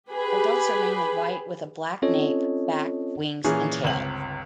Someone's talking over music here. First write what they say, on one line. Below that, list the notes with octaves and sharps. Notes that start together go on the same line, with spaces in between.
Adults are mainly white with a black nape, back, wings and tail.
G4 G#4 B4 B5
C4 C#4 F4 A4 C#5 D#5
A#2 E3 C#4 G#4
G1 C#2 C4 F#7